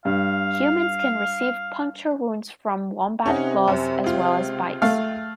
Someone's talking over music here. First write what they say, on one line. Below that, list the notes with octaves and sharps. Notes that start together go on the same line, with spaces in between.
Humans can receive puncture wounds from wombat claws, as well as bites.
G2 F5
C3 C#4 D#4 F#5
F#2
C#2 F4
A3 F5